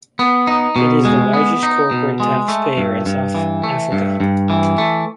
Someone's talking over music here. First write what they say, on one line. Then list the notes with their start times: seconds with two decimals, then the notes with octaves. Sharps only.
It is the largest corporate taxpayer in South Africa.
0.19 B3
0.47 D#4
0.76 B2
1.05 G#3
1.33 B3
1.63 D#4
1.91 B2
2.20 G#3
2.48 A3
2.77 G2
3.06 G2
3.35 E3
3.64 A3
3.92 G2
4.20 G2
4.50 E3
4.78 A3